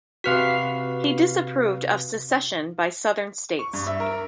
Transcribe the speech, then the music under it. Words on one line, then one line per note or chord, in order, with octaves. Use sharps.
He disapproved of secession by southern states.
C3 F#4 B4 F5 F6 B6
C#6
G2
E5
A#4